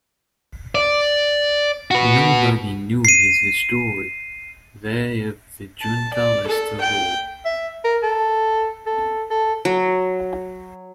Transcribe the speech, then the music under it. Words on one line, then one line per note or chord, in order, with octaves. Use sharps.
Nobody knew his history, they of the Junta least of all.
D5
F#4 B4
C7 D#7
A5
D5
A4
G5
E5
A#4
A4
A4
A4
F#3